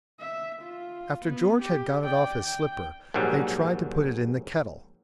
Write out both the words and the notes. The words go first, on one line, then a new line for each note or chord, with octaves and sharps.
After George had got it off his slipper, they tried to put it in the kettle.
E5
F4
B3
G4
D5 G5
G5
A#1 G#2 F#3 G3